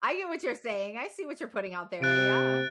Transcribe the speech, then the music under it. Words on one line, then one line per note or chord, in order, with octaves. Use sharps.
I get what you're saying, I see what you're putting out there, yeah.
C3 F#6 A6 D7